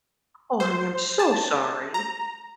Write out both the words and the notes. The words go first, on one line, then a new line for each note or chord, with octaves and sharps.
Oh, honey, I'm so sorry.
C5
A5
A#5